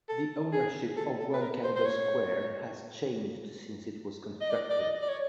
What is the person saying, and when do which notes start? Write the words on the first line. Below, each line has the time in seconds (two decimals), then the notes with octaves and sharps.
The ownership of One Canada Square has changed since it was constructed.
0.09 A4
0.53 G#4
0.97 A4
1.19 A4
1.33 B4
1.41 A#4
1.64 C5
1.76 C5
1.85 C#5
4.41 D#5
4.50 D5
4.70 D5
4.79 D#5
5.02 D5
5.09 C#5